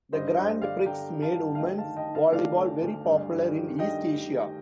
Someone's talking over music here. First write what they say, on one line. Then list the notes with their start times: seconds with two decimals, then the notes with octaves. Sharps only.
The Grand Prix made women's volleyball very popular in East Asia.
0.13 G2 C5 D#5
0.37 G2 C5 D#5
0.62 D3 D5 F5
0.86 D3 G5 A#5
1.10 D3
1.22 F5 A5
1.35 G2
1.55 F5
1.59 D2 D#5 G5
1.78 F5 A5
1.84 D#3
1.97 D#5 G5
2.08 D#3
2.15 F5 A5
2.32 D2 D5 F5
2.58 D2
2.82 D2
3.06 G2
3.30 G2
3.55 D#3
3.79 G2 D#5 G5
4.03 D#3
4.28 D#3